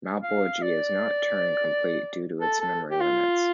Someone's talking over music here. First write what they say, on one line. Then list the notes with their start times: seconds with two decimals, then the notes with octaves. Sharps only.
Malbolge is not Turing-complete, due to its memory limits.
0.23 F5
0.62 D5
2.41 A4
2.60 A4
2.91 G4
3.00 F4